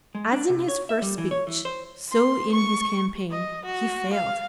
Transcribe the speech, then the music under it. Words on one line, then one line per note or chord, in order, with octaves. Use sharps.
As in his first speech, so in his campaign, he failed.
G#3
D4
C3
C#5
E5
G3
E3
C#5
E3
C5
C6
C#6
D#5
F#4
F5